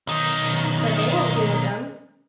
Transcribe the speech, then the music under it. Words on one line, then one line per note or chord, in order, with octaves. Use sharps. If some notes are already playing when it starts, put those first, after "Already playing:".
But they won't deal with them.
B1 D#3